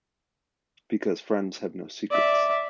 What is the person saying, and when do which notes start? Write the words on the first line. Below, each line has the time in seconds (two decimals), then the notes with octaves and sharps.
Because friends have no secrets.
2.11 D5 E5